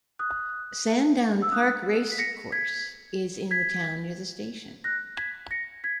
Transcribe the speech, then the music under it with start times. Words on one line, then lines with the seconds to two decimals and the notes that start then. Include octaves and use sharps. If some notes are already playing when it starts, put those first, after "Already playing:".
Sandown Park Racecourse is in the town near the station.
0.19 D#6 F#6
1.42 E6
1.52 D#6 F#6
2.12 B6
2.18 A#6 C#7
2.52 G#6 B6
3.51 G#6 B6
4.84 F#6 A#6
5.17 G#6 B6
5.51 A#6 C#7
5.84 G#6 B6